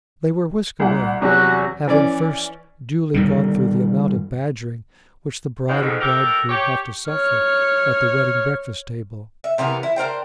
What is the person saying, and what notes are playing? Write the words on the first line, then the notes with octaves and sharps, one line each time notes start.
They were whisked away, having first duly gone through the amount of badgering which the bride and bridegroom have to suffer at the wedding breakfast-table.
C2 F#5
E2 C3 F#3 F#4
E3 C#4 D5
G2 D3 D#3
G#2 B2
F2 G#2
F2 G4 A4 A#4
G4 C#5
C#5 F6
E5
C3 E3 B3 A#4
E4
D4 A#4 C5 G5